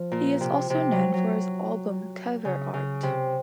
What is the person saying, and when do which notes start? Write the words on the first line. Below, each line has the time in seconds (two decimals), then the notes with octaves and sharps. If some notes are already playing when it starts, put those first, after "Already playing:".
He is also known for his album cover art.
Already playing: F3
0.11 A#2
0.41 C3
0.70 C3
0.92 F#3
1.14 F#3
2.45 C#3
2.74 C#3
3.03 C3